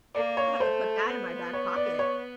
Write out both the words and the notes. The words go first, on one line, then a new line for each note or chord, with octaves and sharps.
I'm gonna have to put that in my back pocket.
A#3 D5
C#5
A3 C5
B3
C#5
D5
C#5